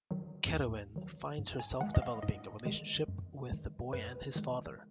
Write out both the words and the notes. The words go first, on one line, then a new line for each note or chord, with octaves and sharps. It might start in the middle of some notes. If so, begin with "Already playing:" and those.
Kerewin finds herself developing a relationship with the boy and his father.
D#3 F#3
D#2
D#3 F#3
G#2
G#5
D#3 G#3 F#5
D#5
F5
G#2 D#5
D#3 G#3
F#2
D#3 G#3
F#2 B4
D#3 G#3